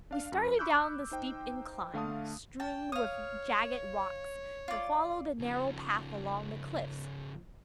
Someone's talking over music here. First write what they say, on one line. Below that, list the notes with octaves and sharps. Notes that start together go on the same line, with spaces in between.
We started down the steep incline, strewn with jagged rocks, to follow the narrow path along the cliffs.
D4 F5
F#2
B5 C#6 D6 E6 F#6 G6
D#4 C5 G5
D3 A3 F5 A5 D#6
G5 A5
C#5 F5 D#6
F4 D5
C#3 F3